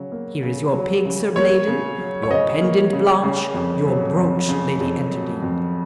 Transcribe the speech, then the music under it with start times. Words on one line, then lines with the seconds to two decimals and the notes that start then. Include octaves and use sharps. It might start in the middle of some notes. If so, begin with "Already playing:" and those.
Here is your pig, Sir Blaydon; your pendant, Blanche; your brooch, Lady Enterdean.
Already playing: C#3 F#3
0.12 A#3
0.43 C#3
0.74 F#3
1.05 C#3
1.36 A#3 C#5
1.68 C#3
1.98 F#3
2.23 C#5
2.31 C#3 D#5
2.62 A#3
2.93 C#3
3.23 C#3
3.54 F2
3.86 F#3
4.18 F2
4.49 C#3
4.80 F2
5.11 F#3
5.43 F2